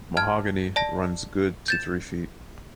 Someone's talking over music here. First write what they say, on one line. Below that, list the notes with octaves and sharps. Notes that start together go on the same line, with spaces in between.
Mahogany runs good to three feet.
A5 F6 G#6
D5 A5 A#6
G6 A6 E7